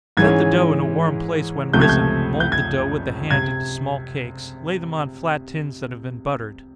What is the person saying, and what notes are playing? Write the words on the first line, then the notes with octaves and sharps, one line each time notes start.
Set the dough in a warm place when risen, mould the dough with the hand into small cakes, lay them on flat tins that have been buttered.
G#2 E3 G#3 C#4 G#6
C#2 C3 F3 A3 G6
G#6
G6
G6
G#6
C3 G#6